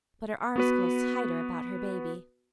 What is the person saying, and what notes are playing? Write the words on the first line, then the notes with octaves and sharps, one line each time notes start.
But her arms closed tighter about her baby.
B3 F#4 B4